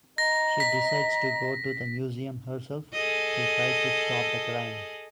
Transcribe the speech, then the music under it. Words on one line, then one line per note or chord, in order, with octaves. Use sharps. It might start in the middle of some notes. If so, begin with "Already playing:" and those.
She decides to go to the museum herself to try to stop the crime.
D#5 A#5 A#6
B6
G#4 A4 D#5